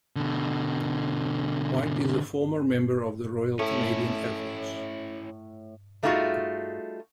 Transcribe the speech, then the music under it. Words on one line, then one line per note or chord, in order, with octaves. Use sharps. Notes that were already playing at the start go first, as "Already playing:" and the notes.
White is a former member of the Royal Canadian Air Force.
B2 D3
A2 A3 C#4 E4
G3 A3 D#4 F4 F#4 G#4